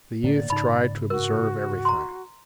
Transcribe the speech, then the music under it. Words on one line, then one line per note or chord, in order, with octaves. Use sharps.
The youth tried to observe everything.
A2 D3 A#3 D5
G#2 C#3 D#4 B5
F#4 A#4
A#5 C6